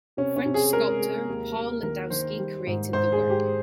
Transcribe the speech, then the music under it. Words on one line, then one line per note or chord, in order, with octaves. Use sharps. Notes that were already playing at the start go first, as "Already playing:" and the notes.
French sculptor Paul Landowski created the work.
C3 C#4
C#4
C3
G#4
G#3 A#4
G#3
D#2
D#2
D#3 A#4
D#3 C5
G3
G#2
G#2 C5
G#4
G#2
G4